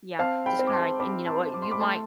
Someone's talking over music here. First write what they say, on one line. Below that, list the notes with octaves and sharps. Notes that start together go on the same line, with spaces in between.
Yeah, just kinda like and you know what? You might
C4 F5 A5
G5 B5
C4
D6
A5 C6
C4 B5 D6
A5 C6
C4
D6
C6
B5 D6
A3 A5 C6